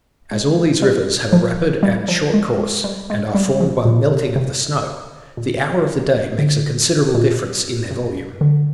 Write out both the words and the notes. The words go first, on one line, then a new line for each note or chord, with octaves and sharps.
As all these rivers have a rapid and short course, and are formed by the melting of the snow, the hour of the day makes a considerable difference in their volume.
G#3
G3
F3
G3
F3
G#3
G3
G#3
G3
F3
A#2
C3
C3
A#2
D3
A#2
C3
D3